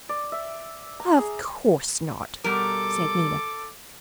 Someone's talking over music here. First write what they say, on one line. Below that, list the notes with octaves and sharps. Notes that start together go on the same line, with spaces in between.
"Of course not," said Nina.
D5
E5
A#5
G#4
B2 G3 A4 A#4 D6